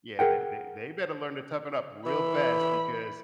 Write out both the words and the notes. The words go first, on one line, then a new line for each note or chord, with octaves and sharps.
"Yeah, they they they better learn to toughen up real fast because,
G#4 A#4 F#5 G5
E3 B5